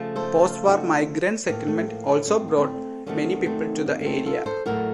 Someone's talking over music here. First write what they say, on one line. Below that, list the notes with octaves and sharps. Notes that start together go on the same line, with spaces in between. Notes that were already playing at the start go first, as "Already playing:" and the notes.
Post-war migrant settlement also brought many people to the area.
Already playing: C#3 F3 A3
A4 C5
F4 A4
D#4 F#4
A2 F3 A3 A#3
A3
A#3
A3
C#4
C4
A#3
A3 C4
C3 D#3 F#3 A3 A#3 C#4
A3 C4
A#3
A#3
A3 C4
F4 A4
A4 C5
A2 F#3 A3 F#4 A#4